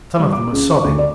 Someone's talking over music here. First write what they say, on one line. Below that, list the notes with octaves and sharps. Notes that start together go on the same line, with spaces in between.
Some of them were sobbing.
G3
D6
C#2
C#6
D2
D5